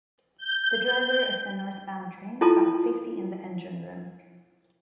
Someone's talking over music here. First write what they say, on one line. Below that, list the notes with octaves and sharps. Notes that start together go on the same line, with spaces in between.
The driver of the northbound train sought safety in the engine room.
G6
E4 F4 A4 D#5 A5 C6